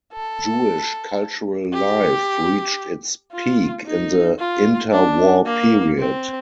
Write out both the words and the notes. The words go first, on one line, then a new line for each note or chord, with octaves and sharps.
Jewish cultural life reached its peak in the inter-war period.
A4
G4
F4
D#4
F4
D4
A#3
C4